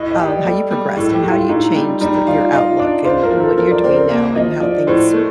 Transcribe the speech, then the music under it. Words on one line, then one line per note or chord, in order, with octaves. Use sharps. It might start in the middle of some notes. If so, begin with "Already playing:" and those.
um, how you progressed and how you changed the your outlook and what you're doing now and how things,
Already playing: A2 D#5
D#5
G4
D5
G3 A4
G3
A2 A4
G4
A2
F4
A2 D#4
G3
G3 D#4
F4 D5
F4 D#5
D4 D5
F4 C5
A#4
F3
A4
F3 A#4
D5
C4 D5
A#4
A#3
F3 D#5
F3 D5
A2 C5
A3